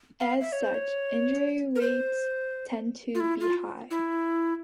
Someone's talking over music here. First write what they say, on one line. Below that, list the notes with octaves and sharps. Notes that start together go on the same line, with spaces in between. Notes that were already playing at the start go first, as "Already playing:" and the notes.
As such, injury rates tend to be high.
F5
E5
C#5
C5
C#5
A#4
C5
F4
E4
F4
E4